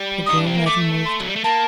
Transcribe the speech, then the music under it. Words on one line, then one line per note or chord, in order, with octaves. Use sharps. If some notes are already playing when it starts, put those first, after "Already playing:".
The girl never moved.
Already playing: G3
D#4 D#6
D4
C4
A#3
A3 D6
C6
F#3
G3
A3
A#3 A5